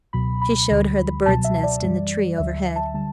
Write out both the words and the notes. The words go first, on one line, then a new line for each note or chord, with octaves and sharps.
She showed her the bird's nest in the tree overhead.
C#2 B2 F#3 B5
B5
D2 D3 G3
C#2 B2 F#3 A5
E5
D5
F#2 E3 G3
D2 D3 F#3 E5
E5
A5
D3 G3 A5